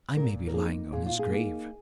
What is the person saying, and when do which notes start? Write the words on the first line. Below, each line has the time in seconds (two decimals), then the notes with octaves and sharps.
I may be lying on his grave.
0.17 A#2 A#4
0.47 A#4
0.54 A#3 D#4 G#4
0.92 A#2 G#4
1.06 F4
1.19 G#4
1.30 A#3 D#4